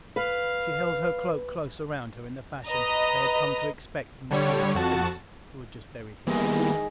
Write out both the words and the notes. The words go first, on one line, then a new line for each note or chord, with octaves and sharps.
She held her cloak close around her in the fashion they had come to expect from the George Prince who had just buried his sister.
B4 F5
B4 D#5 A#5
D3 G3 C#5
F2 F#4 A5
G#2 D#3 E3 G3 A#3 B3 G#4 D#5